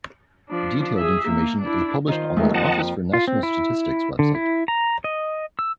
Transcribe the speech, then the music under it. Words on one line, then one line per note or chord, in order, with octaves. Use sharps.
Detailed information is published on the Office for National Statistics website.
F3 D4
G#4 E5
A#3
D4 E4
D#3 F4 C5
D#2 D#3 G#3 A3 A#4
F2 D#5 F#5 A5
F4
C4
E4
D3
E4
A#5
D#5
E6